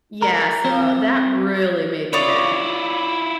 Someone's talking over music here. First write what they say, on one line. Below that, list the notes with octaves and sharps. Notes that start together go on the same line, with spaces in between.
Yeah, so, uh, that really made me mad.
A#4
C4
E4 F4 C#5 D5 D#6